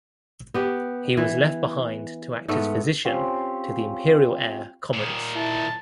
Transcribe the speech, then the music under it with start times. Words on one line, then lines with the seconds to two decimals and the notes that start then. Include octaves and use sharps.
He was left behind to act as physician to the imperial heir Commodus.
0.54 B3 G4
1.17 E3
2.48 G#2 A3 B3
3.05 C4 C#4 F4 G4
4.94 A#2 D#3
5.36 E4 A5